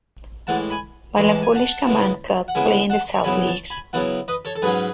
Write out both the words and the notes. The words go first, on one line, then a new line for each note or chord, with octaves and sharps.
Ballachulish Camanachd Club play in the South Leagues.
A2 E3 G#3 F#5 A5
G#5 B5
A2 E3 G#3 B5
A5
G#5
F#5 A5
C#3 G#3 B3 E4
F#5
C#3 G#3 B3 E4 E5 G#5
F#5 A5
C#6
C#3 F#3 B3 E4 G#5 B5
A5 C#6
G#5 B5
C#3 F#3 B3 E4 F#5 A5
B4 D#5
A4 C#5
A4
G#2 F#3 C#4 G#4 B4